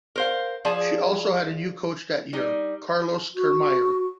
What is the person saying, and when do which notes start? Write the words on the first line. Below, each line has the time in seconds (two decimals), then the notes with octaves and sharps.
She also had a new coach that year, Carlos Kirmayr.
0.16 A#4 C5 F5
0.65 F3 G#4 D5 A5
2.33 G3 D#4
3.35 F#4